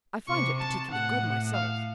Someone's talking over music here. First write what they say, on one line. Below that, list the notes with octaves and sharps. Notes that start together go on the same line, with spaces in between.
"I find it particularly good myself."
C3 C#6
A5
A2 F#5
F5